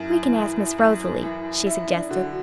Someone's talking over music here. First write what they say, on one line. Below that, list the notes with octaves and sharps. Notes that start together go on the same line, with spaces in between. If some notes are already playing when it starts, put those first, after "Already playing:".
"We can ask Miss Rosalie," she suggested.
Already playing: F#2 E4
E3
F#2
E3
E4
D4
D3 F#4